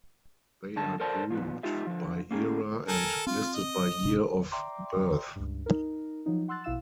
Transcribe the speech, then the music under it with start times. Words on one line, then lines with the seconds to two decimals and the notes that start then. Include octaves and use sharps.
They are grouped by era and listed by year of birth.
0.76 G2 D3 A5
1.00 A4 A#4 C5 D5 A5
1.31 A#2 F3 A#3 B3
1.63 G#3 D#4 F4 G4 E5
1.87 D3 F3
2.31 A#3 C#4 G#4
2.88 A4 A#4 G#5
3.27 C4 F4
3.55 D#5
4.04 E1 C3 D4
4.52 D5 E5 G5 A#5 C6 D6
5.36 C#2 G2
5.66 D#4 A#4
6.26 F3 F#3 D#4
6.48 F#5 C6 E6 F#6 A6
6.64 A#1 B2 E4 F5 E6 E7